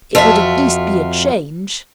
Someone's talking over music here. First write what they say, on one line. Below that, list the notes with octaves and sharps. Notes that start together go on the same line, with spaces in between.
It would at least be a change.
F2 F4 F#4 E5